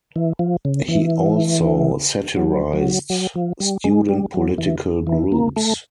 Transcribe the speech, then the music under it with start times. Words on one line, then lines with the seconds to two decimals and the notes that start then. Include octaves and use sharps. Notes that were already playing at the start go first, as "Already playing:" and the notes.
He also satirized student political groups.
0.16 E3
0.39 F3
0.65 C#3
0.88 E3
2.37 F#3
2.73 F#3
3.10 F#3
3.36 F3
3.60 G3
3.84 G#3
4.09 G3
4.34 F#3
4.58 E3
5.07 E3
5.32 A#3
5.56 A3